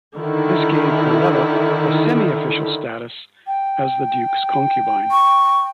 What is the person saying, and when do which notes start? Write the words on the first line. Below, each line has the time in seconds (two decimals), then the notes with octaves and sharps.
This gave Herleva a semi-official status as the Duke's concubine.
0.17 D3 D#3 E4
3.46 G5
5.11 C#6